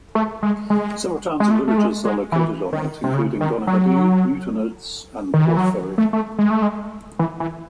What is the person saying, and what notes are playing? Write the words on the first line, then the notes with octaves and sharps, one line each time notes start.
Several towns and villages are located on it, including Donaghadee, Newtownards and Portaferry.
A3
G#3
G#3
G#3
A3
A3
G#3
G#3
E3
D#3
C3
C#3
D#3
F#3
D#3
E3
F#3
A3
A3
G#3
A3
G#3
E3
E3